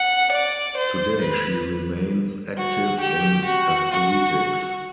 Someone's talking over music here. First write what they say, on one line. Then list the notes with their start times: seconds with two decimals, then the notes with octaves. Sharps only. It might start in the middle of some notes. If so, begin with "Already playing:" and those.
Today she remains active in athletics.
Already playing: F#5
0.32 D5
0.77 C5
1.22 B4
2.57 F#4
3.01 G4
3.46 F#4
3.91 F#4